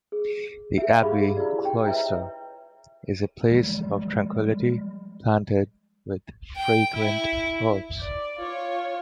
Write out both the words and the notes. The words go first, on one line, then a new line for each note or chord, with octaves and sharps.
The abbey cloister is a place of tranquillity, planted with fragrant herbs.
G#4
E5
D#4 G4 G#4 F5 B5 D6
E4 F4 G4 G#4 D5
G5
B4 C#5 D#5 E5 A#5
F3 G3 G#3
G5
E4
D5
F4 C#5